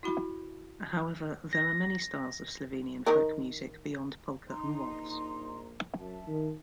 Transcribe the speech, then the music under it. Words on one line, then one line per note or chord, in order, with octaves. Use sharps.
However, there are many styles of Slovenian folk music beyond polka and waltz.
E4 F#4 B5
A#6
D#3 D#4 A#4
D#4 A#5 C6
A#1
F#2 E5 A5
D#3